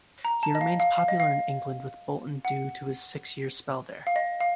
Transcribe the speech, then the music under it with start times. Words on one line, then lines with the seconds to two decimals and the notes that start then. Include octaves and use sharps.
He remains popular in England with Bolton due to his six-year spell there.
0.25 A#5
0.43 A5
0.55 D#5
0.61 F5
0.80 F5
0.98 F5
1.08 D#5
1.20 F5
2.45 F#5
4.07 F5
4.16 D#5
4.40 F5